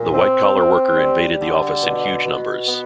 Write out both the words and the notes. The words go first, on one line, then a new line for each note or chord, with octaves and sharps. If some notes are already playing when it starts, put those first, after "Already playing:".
The white-collar worker invaded the office in huge numbers.
Already playing: A#2
C4
C4
G3
D3
B2
B2
B3